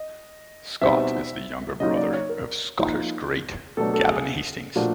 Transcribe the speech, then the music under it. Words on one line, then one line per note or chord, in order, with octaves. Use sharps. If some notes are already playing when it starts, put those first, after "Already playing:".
Scott is the younger brother of Scottish great Gavin Hastings.
Already playing: D#5
B2 G3 C4 D#4 F#4 E5
C#3 F#3 A#3 D#4 D#5
D5
C#5
A#4
F3 A#3 D#4
B2 F#3 A3 D4 A4
A4
G#4
A#2 F3 A3 D4 F#4